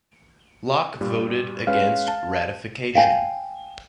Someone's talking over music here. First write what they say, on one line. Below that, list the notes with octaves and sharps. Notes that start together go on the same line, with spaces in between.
Locke voted against ratification.
G2 A#2 G3
G#3 C#4 B4 F5
A5
F5 G5 G#5